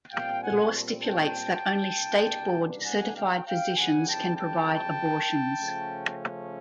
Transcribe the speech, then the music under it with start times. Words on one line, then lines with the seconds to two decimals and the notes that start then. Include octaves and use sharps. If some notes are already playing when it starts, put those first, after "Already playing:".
The law stipulates that only state board certified physicians can provide abortions.
0.10 A#2 G3 C4 F5 G5
0.41 F#5 G#5
1.03 G5 A5
1.93 C2 B2 G3 A#3 D4
2.84 F#5 G#5
3.14 F5 G5
3.46 F5 G5
3.75 F2 C#3 E3 G3 F#5 G#5
4.06 G5 A5
4.36 G5 A5
5.59 C#3 F3 A3 C#4